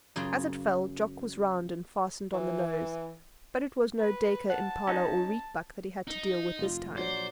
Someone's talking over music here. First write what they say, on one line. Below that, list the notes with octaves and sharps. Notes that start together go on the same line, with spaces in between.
As it fell Jock was round and fastened on the nose; but it was no duiker, impala or rietbuck that he had to deal with this time.
F#2 C#3 F4 G#4 G5 A#5
E3
B4
F#5 A5
C#4 D#4
D#4
F1 F4
A#1 F#3 C5 D5